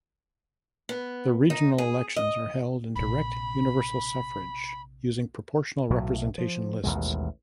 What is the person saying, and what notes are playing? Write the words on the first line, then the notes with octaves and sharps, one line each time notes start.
The regional elections are held in direct universal suffrage using proportional representation lists.
B3
D#4
G#4
D#5
A#1 C3 B5
B1 A2 F#3
F3
A1 D#2 B2 G#3